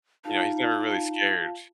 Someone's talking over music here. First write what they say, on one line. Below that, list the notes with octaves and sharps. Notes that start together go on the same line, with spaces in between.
you know, he's never really scared,
D#4 F4 F5 A5